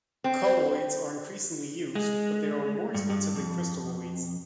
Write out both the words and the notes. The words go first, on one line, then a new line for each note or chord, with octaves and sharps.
Colloids are increasingly used but they are more expensive than crystalloids.
C4
C5
G#3
G2
G2
F2